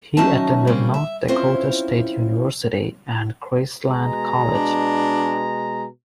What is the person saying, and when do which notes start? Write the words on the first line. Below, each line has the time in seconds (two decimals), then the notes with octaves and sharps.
He attended North Dakota State University and Graceland College.
0.17 D#3 F#3 C#4 D#4 E5 A5
0.67 C#3 G3 A#3 C4 C#4
0.94 E5
1.28 C4 C#4 E4 F4 C5
3.87 B2 G#3 A#5
4.53 D4